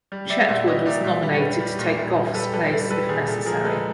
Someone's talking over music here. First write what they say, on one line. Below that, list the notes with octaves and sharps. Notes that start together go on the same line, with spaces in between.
Chetwode was nominated to take Gough's place if necessary.
G3
G3 D5 E5
A#2 E5 F#5
G3 C#5 D#5
A#2 D5 E5
A#2
G3
B4 C#5
G3
G3
A#2
A#2
G3
G3 A4 B4
G3 A4 B4
G3
G3 A4 B4
A#2 G#4
A#2 A4
F3 G#4 A#4
G#3 A4 B4